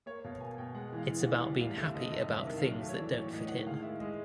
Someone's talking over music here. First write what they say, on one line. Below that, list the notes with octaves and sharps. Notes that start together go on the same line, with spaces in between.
It's about being happy about things that don't fit in.
A#3 C#5
B2 F5
A#3 G#5
B2 G5
G#3 F#5
E3
F5
E3
F#5
E3
F#5
G3 F5
D2 F5
D3 E5
D3 D#5
C2 D#5
C3
E5
D#3
F5
F#3
A3 E5
C#5
E3 D5
A2 C#5
A2 D#5
D#3 F#5
G#3 F5
D#3 E5
G#3 D#5